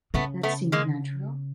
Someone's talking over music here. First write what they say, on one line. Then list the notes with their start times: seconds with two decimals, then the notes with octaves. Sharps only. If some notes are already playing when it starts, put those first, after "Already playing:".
That seems natural.
0.14 C#3 A3 B3
0.43 A3 B3
0.72 G#3 A#3